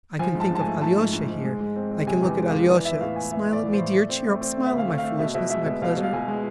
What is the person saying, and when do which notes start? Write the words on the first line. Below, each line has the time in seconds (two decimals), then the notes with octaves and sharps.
I can think of Alyosha here, I can look at Alyosha ... smile at me, dear, cheer up, smile at my foolishness, at my pleasure....
0.19 F3 G#5
0.35 G#2 A5
0.51 G#2 A5
0.61 G#5
0.66 A3
0.81 A3 A5
0.98 G#2
1.13 G#2
1.28 G#2
1.44 G#3
1.61 G#3
1.76 C4
1.91 C4
2.07 C3 G#5
2.22 E2
2.28 G#5
2.38 G#3
2.48 F5
2.53 E2
2.69 E3 D5
2.85 B3 E5
3.00 A2 F5
3.16 B3 G#5
3.31 B3 E5
3.48 A2 D5
3.63 E3
3.73 C5
3.78 A2
3.94 A3 D5
4.09 C4
4.26 A3
4.41 C4
4.57 A3
4.66 E5
4.72 D2
4.78 F5
4.88 A3
4.98 F5
5.04 A3
5.19 B2 E5
5.34 B2 E5
5.50 G#3 E5
5.66 B2
5.82 B2 F5
5.97 B2
6.03 F5
6.13 B2 G#5
6.28 G#3